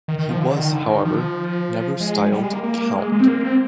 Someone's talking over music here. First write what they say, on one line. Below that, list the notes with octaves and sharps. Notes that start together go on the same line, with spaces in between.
He was, however, never styled "Count".
D#3
D#3
F3
D3
D#3
D3
D#3
F3
G#3
G3
G#3
A#3
A#3
G#3
G#3
C4
A#3
C4